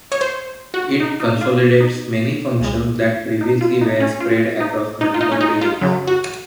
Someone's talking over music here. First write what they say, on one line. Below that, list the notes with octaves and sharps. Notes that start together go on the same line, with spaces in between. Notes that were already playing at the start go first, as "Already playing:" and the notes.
It consolidates many functions that previously were spread across multiple buildings.
C#5
C5
F#4
D#4
D#4
F4
D#4
C#2 C#3 G#3
D#4
F4
D#4
C#4
F4
D#4
D#4
F4
D#4
C#4
D#4
F4
F#2 C#3 F#3
F#4